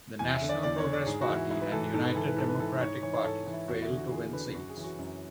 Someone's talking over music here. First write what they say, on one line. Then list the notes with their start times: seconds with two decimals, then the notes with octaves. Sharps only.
The National Progress Party and United Democratic Party failed to win seats.
0.19 E2 G#5
0.34 E5
0.42 D3
0.49 D5
0.63 E2 D5
0.78 C#5
0.85 D3
0.93 D5
1.06 G#2 G#4
1.21 F#4
1.29 E3
1.35 E4
1.50 G#2 E4
1.61 B4
1.72 E3 A4
1.93 G#2 A4
2.05 B4
2.15 E3 A4
2.27 B4
2.37 G#2 A4
2.49 B4
2.59 E3 A4
2.81 G#2 C#5
3.02 E3 C#5
3.14 C#5
3.24 G#2 A4
3.46 E3
3.53 E4
3.68 E2 F#4
3.82 E4
3.89 D3
3.97 F#4
4.11 E2 G#4
4.32 D3 B4
4.54 F#2 F#4
4.69 G#4
4.76 E3
4.84 F#4
4.99 F#2